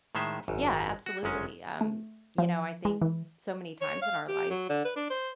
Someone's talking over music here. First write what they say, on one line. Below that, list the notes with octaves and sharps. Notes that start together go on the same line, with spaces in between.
Yeah, absolutely, um, you know, I think so many times in our life,
A2 D#3 G#3 C5 E5
G#1 F#2
F#4
G1 F#2 G#3 C#4
A3
F3
G#3
E3
C#5
F5
G4
F#3
D3
B4
D4
C5